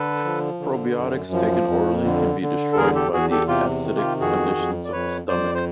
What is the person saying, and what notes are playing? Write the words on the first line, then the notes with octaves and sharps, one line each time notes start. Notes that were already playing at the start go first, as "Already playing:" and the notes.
Probiotics taken orally can be destroyed by the acidic conditions of the stomach.
Already playing: D3 A4 B4
F3
D3
F#2
F3
F2
D3
D3
A4
E2 G#4 A#4
G4 A4
E2 F#4 G#4
G4 A4
C3 F4 G4
D#3
F4 G4
F2 F#4 G#4
F2
D5
F2 B4 C#5
F2 C5 D5
C5